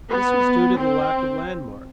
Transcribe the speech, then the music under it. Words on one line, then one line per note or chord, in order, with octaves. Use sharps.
This was due to the lack of landmarks.
B3
C4